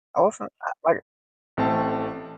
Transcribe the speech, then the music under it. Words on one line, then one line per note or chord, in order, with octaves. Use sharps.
I wasn't uh, like
A1 A3 C4 A5